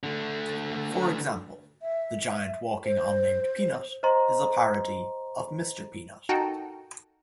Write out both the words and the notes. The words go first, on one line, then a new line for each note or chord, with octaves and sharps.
For example, the giant walking unnamed peanut is a parody of Mr. Peanut.
D3 A3
E5
C5
C5 D#5 A#5 C6
D#4 F#4 A4 A#4 G5